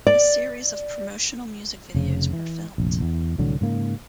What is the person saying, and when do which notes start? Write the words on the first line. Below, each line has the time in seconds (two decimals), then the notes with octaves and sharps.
A series of promotional music videos were filmed.
0.07 D5
1.95 F1 C#3
2.33 E3
2.78 F1 A#1
3.01 E2
3.38 C2 A2 D3 F#3
3.61 G#2 C#3 A#3